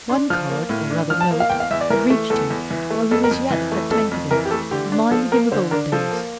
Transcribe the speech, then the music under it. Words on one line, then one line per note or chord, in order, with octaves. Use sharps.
One card, or rather note, had reached him while he was yet at Tankerville, reminding him of old days.
D4 C6
F3 F6
A#3
A2
D4
F3 F6
A5
A#3
F5
E2 G5
F5
E2 E5
D5
E3 A#4
A3
E2 A4
E2
E3
A3
F2 A4
A#4
F2
E3
A3
F2 A4
F2
E3 A#4
G4
A3 A4
D3 G4
D4
F3 A4
A#3 A#4
D3 C5
D4 A#4
F3 A4
A#3